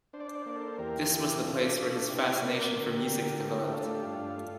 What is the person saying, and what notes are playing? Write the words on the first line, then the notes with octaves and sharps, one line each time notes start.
This was the place where his fascination for music developed.
D4 C5
D5
C5
D5
C5
A#3 D5
A4 C5
E2 G4 A#4
E3
D4 F4 A4
D4 F4 A4
C3 E4 G4
A#3 A#4 D5
D3 A#4
C5
G4 A#4
D3
A3 G4 A#4
G4
D4 F4 A4
G4
G2 F4
A3